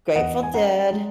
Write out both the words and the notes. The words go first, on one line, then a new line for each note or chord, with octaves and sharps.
Grateful Dead.
E2 D#5 F#5
G#5
C#4 F#5 A#5
G#3